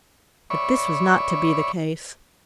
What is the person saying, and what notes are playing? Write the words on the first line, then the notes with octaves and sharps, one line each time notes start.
But this was not to be the case.
C#5 D5 E5 B5 C#6